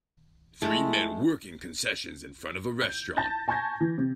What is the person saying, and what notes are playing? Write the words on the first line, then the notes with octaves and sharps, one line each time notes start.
Three men working concessions in front of a restaurant.
F3 G#3 A3 E4
G6
A5 G6 A6 A#6
G#5 A5 C#6 G6 G#6 A#6
E3
C3